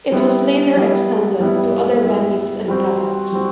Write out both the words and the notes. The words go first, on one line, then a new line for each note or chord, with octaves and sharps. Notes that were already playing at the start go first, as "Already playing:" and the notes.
It was later extended to other venues and products.
G3 B3 E4
G3 B3 E4
G3 B3 E4
G3 B3 E4
G3 C4 F#4 C5
G3 C4 F#4